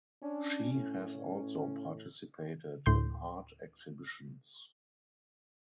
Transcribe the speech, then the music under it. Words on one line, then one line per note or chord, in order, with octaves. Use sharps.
She has also participated in art exhibitions.
C#4 D4
A2
D2 A2 C6 G6